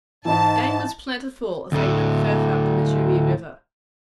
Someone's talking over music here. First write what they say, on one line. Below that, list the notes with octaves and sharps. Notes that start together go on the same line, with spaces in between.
Game was plentiful as they went farther up the Missouri River.
G#2 E3 D#4 A5
D2 A2